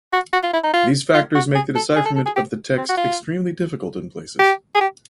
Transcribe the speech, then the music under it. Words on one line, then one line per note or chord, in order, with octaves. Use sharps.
These factors make the decipherment of the text extremely difficult in places.
F#4
F#4
F4
E4
D#4
F4
F4
F#4
G#4
A4
G#4
A4
A4
G#4
G4
C4
F#4
F4
G4
G#4
G4